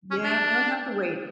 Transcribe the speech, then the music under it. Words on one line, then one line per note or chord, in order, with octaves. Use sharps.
Yeah, now I have to wait.
C#4
D4